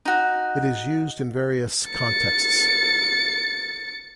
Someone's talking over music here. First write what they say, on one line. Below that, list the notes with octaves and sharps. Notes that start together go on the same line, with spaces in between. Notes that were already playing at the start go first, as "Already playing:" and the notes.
It is used in various contexts.
D#4 F#4
A6 C#7